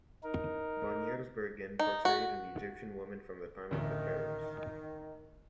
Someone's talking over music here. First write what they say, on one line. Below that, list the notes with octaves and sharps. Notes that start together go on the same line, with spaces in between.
Van Giersbergen portrayed an Egyptian woman from the time of the pharaohs.
D#4 A#4
D#4
F#4
A1 D2 D#3